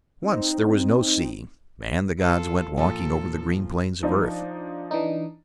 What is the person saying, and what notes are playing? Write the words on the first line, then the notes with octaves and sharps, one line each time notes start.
Once there was no sea, and the gods went walking over the green plains of earth.
C4 D#4
F4 A4
A#2 F3 A4
F3 D4 D#4
E3 D4 D#4